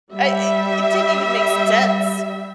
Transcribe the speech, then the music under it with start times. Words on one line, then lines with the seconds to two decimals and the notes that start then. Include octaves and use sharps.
I it it didn't even make sense.
0.14 G3 E5